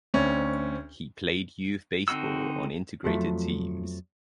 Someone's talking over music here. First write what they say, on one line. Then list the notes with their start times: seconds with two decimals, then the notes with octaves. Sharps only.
He played youth baseball on integrated teams.
0.14 D2 C4 C#4 D5 F7
2.08 D3 C4 D#4 F#4 E6
3.04 F2 F3 F#3 A3